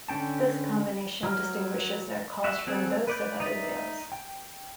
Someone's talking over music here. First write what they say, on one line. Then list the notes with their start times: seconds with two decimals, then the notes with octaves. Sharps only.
This combination distinguishes their calls from those of other whales.
0.08 D3 C#4 G5 A5
1.23 F#3 A#5 F6
2.44 F#4 E5
2.67 F#3 C4 G#4 A4
3.07 B4 D5 G6
3.40 D#4 D5 E5
4.12 G5